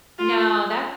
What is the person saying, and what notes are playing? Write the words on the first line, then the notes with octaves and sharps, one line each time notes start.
No, that's
F4